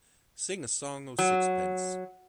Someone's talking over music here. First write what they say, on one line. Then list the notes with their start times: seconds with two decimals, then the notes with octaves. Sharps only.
Sing a song o' sixpence!
1.19 F#3